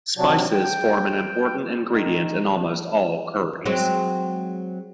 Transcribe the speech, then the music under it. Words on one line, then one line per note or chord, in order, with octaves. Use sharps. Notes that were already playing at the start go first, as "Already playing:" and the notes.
Spices form an important ingredient in almost all curries.
C3 F#3 D4
G5
D#3
F#3 G#3 C4